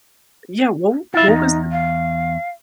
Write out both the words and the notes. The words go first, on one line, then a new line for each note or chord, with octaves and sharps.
Yeah. What what was
E4 F4 E5
E2 D#4
F5